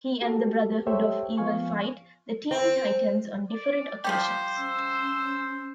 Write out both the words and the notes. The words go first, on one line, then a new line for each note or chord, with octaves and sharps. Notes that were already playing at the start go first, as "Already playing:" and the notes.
He and the Brotherhood of Evil fight the Teen Titans on different occasions.
F#4 G4 A4
G4 A4 C5 C#5 E5 G5
F3 B3 F5 G#5 C#6
C4
D5
F3 G3 G4 C5
C#4 E6